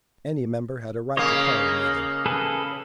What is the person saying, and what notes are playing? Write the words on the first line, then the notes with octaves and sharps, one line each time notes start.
Any member had a right to call a meeting.
C#3 A#3 C#5 D#5
G#4 A4 B4